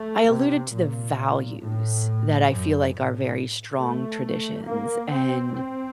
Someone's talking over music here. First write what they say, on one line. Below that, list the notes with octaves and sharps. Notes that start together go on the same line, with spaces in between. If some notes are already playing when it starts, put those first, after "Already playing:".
I alluded to the values that I feel like are very strong traditions, and
Already playing: A3
C3
A#2
A2
F#2
A2
A3
A#3
C4
C4